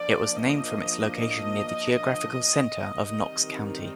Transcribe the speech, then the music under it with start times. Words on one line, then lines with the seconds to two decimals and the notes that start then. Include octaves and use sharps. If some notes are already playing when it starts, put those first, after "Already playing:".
It was named from its location near the geographical center of Knox County.
Already playing: F3 A#3 D4 D5
0.48 D#5
2.93 D#3 G3 C4 D#4